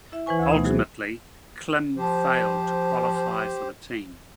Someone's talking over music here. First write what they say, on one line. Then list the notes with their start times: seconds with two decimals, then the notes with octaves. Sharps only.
Ultimately Klim failed to qualify for the team.
0.12 E4 E5
0.26 E3 E4 B4 C5 G#5 C#6
0.39 D2 E5 E6 G#6
0.51 B2 A3 B3 D#4
0.65 F#3 F#4 G#4 C5
1.96 F3 G4 C5